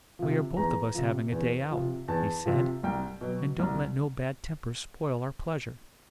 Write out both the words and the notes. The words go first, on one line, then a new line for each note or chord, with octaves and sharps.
'We are both of us having a day out,' he said, 'and don't let no bad tempers spoil our pleasure.
C3 F3
E2 A#5
C3 F3
E2
C3 F3
E2 A5
C3 F3
C2 G5
B2 F#3
C2